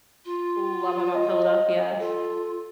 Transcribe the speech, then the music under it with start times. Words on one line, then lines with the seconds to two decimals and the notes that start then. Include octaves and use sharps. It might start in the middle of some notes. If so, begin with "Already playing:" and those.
love about Philadelphia
0.25 F4
1.14 D#5
2.00 F4 A4